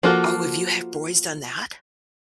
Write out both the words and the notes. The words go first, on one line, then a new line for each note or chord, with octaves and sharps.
Oh, have you had boys done that?
F3 A#3 F#4 A4